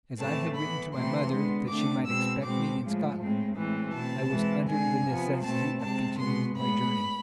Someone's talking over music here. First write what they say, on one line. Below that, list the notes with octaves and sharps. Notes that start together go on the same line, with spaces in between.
As I had written to my mother that she might expect me in Scotland, I was under the necessity of continuing my journey.
A2 E3 A3 C4 A5
E3 B3 B5
C3 E3 A3 C4 C6
D3 G#3 B3
D3 A3 C4 D6
B2 G#3 C4 E6
B2 G#3 C4 D6
A2 F3 G#3
A2 G#3 C4
A2 E3 G#3 C4
B2 A3 C4 A5
E3 G#3 C4
D3 G#3 C4 G#5
C3 F3 B3
B2 A3 C4 A5
C3 G#3 C4 A5
B2 G#3 B3 C6
A2 G#3 B3 B5